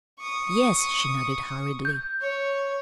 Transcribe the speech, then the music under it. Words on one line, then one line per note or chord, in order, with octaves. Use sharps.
"Yes," she nodded hurriedly.
C#6 D#6
G6
C#5